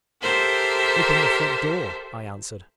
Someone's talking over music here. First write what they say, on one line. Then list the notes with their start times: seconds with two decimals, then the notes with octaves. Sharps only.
"Open the front door," I answered.
0.21 G4 A4 A#4 C5 E5